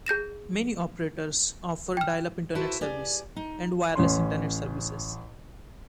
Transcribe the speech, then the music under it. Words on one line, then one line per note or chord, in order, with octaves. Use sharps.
Many operators offer dial-up internet service, and wireless internet services.
G#4 G6 A#6 E7
G5 F6
E4 F#4 A4 B4 C5
G4 G#4 D5
D#4
A1 C#4 C6